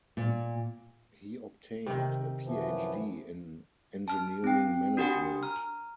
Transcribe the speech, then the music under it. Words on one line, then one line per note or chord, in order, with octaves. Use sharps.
He obtained a PhD in engineering management.
A#2
C3 D#3
F#2 E3 F3
A5 F6
C4 G5
D4 F#4 G4 A#4 F#5 G#5
A#5 F6